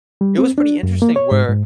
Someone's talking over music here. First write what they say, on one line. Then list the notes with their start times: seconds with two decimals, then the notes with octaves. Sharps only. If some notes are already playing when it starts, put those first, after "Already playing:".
it was pretty interesting where
0.21 G3
0.38 C4
0.58 D4
0.83 F#2
1.02 A#3
1.16 C#5
1.31 G#2
1.49 G#2